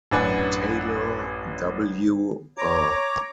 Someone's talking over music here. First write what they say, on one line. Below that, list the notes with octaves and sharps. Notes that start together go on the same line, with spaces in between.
Taylor, W. R.
A1 F#2 D4 B4 F#5 G#5
C#5 A#5 D6